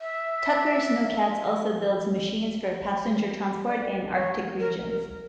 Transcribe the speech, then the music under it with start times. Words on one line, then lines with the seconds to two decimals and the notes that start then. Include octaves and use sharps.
Tucker Sno-Cats also builds machines for passenger transport in Arctic regions.
0.01 E5
3.68 D5
4.14 C#5
4.59 A#4
4.90 A#4